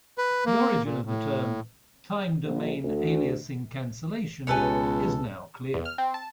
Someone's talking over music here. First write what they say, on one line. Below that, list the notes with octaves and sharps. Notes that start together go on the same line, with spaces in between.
The origin of the term "time-domain aliasing cancellation" is now clear.
B4
A#3
A#2
A2
A#1
D2
C#2 B2 G4 A4 B4 C#5 G#5
E2
F6
C4
A5